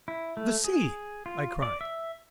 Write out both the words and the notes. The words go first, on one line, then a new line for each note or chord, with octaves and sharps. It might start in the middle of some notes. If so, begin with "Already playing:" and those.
"The sea!" I cried.
E4
A3
G#4
F4
D5
E5